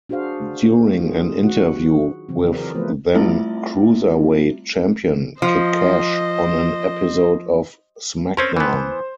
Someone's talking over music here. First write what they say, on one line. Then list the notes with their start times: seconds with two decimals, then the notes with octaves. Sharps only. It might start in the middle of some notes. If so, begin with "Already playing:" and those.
During an interview with then Cruiserweight Champion Kid Kash on an episode of SmackDown!
0.09 D4 F#4 G#4 C5 F5
0.98 F#3 D#4 F4 G#4
1.42 D#3 F#4 F#5
2.29 C#3 E3 F#3 C4
2.54 G#4 A#4 D5
2.74 F3 A3 B3 F4 B4 C5
3.14 G3 A3 C4 E4 F4 E5
5.42 F3 C5 D#5
8.37 C4 C#4 A#4 C5
8.57 E3 B3